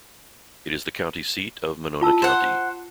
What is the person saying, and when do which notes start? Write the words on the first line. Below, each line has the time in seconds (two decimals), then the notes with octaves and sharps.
It is the county seat of Monona County.
2.02 F4 A5 E6
2.22 C5 F#5